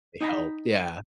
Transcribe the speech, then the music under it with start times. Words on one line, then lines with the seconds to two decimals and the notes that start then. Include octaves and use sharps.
they helped yeah.
0.21 D#4 D#5 G5 G#5 A#5 B5